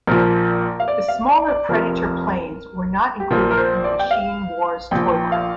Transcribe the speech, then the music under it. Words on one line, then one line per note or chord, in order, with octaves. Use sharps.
The smaller Predator planes were not included in the Machine Wars toyline.
A#1 A#2 F3 A#4
F5
D5
F5
D5
D5
F1 F2 F3 A#4
G4
A#1 A#2 F3 A#4
A#4
C5
D5
G5
F5
A#1 A#2 F3 G5
F5